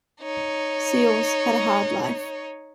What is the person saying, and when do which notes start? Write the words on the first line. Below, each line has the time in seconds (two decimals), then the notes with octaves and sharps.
Seals had a hard life.
0.22 D#4 C#5